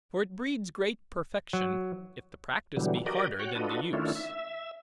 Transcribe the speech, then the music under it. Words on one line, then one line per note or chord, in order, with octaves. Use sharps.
For it breeds great perfection, if the practice be harder than the use.
F#3
B2 D3 E3 F#3 G3
F#4 G4 A#4 D5 D#5
F#4 C#5 F#5 G5
D4 F4 F#4 A4 B4 D#5
D#3 A3 C#4 D4 E4 F4
E5